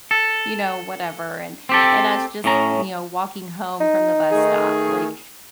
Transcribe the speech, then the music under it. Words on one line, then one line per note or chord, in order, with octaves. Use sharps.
you know, whatever? And and us just, you know, walking home from the bus stop, like,
A4
C4 G4 A4
A2 C#4 A#5
D#4
D#3 A3 G#4